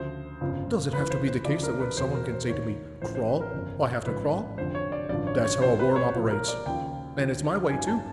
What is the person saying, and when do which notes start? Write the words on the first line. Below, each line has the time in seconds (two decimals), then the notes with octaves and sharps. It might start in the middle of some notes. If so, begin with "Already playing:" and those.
Does it have to be the case that when someone can say to me "Crawl" I have to crawl? That's how a worm operates--and it's my way, too.
Already playing: D2 C#3 F3 C5
0.41 G1 F2 C#3 F3
0.93 C#2 C#3 E3 B4
1.10 C5
1.28 C5
1.45 D2 C#3 F3 D5
1.63 A#4
1.80 B4
1.97 E2 B2 C5
2.14 A#4
2.32 C5
2.49 D#2 D#3 C#5
3.01 A1 A2 F3 C5
3.15 C5
3.28 B4
3.40 A#4
3.53 G1 F2 C#3 F3
4.05 A1 G#2 F3 B4
4.58 F1 F2 D3 C5
4.75 C#5
4.92 D5
5.09 A1 G2 D3 F3 D5
5.27 C#5
5.44 C#5
5.61 C#2 C3 F3 C5
5.79 B4
5.96 C#5
6.13 B1 A#2 F3
6.31 A#4
6.48 D5
6.66 D#2 C#3 F3 G5
7.17 D2 D3 F3
7.69 G#1 F#2 D#3 G#5
7.87 A5